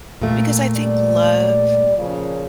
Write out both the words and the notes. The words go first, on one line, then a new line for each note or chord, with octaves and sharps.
because I think love
A#2 A3
G3 D5
A#2 C#3 F3